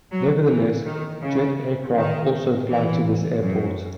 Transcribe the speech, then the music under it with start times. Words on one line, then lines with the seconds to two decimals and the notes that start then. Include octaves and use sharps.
Nevertheless, Jet aircraft also fly to this airport.
0.12 F#3
0.48 E3
0.85 D#3
1.22 C#3
1.96 D#3
2.68 E3
3.42 F#2